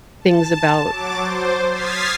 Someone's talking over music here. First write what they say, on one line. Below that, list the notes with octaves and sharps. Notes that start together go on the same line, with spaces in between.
things about
A5
F#3 D6 A6
C5
D#6 F6 G#6 A6 B6 C7